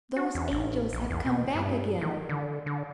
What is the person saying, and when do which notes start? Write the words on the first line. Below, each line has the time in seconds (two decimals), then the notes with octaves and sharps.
Those angels have come back again.
0.16 F#4
0.35 E2
0.51 A1
0.93 A#1
1.10 E2
1.26 B2
1.55 G2
2.01 D#3
2.29 D3
2.66 D3